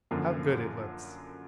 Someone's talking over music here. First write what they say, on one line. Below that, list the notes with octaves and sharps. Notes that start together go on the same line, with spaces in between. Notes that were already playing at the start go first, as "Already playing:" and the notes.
How good it looks!
F#2 D3 F3 A#3